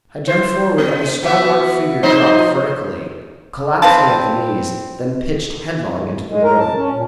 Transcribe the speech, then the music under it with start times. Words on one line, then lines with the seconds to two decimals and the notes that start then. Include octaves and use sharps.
I jumped forward, and the stalwart figure dropped vertically--collapsing at the knees, then pitched headlong into the room.
0.28 C5
0.78 B3
1.23 B3 F#4 E5
2.03 F3 D#4 C5
3.82 C4 B4 F5 A5
6.28 G#3
6.43 A#4
6.58 A5
6.76 C#4
6.92 A#2